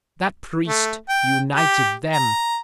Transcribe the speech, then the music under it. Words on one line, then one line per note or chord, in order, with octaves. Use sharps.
"That priest united them."
A3
G5
G4
A#5